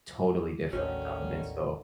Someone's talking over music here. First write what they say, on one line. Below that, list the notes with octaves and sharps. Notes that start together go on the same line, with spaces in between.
totally different, um, and so
A1 D#2 D3 D#3 C#4 F#4 C#5